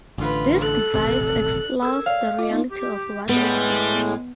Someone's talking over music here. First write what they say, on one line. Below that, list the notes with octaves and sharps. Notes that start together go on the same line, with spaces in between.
This device explores the reality of what exists.
A1 D3 F4 B4
A4 F#6
D#1 A1 C3
A4 A#4 E6 G#6
C#5 D5 F5
F4 D#5
B3 D#4
G4
A2 G3 G#3 B3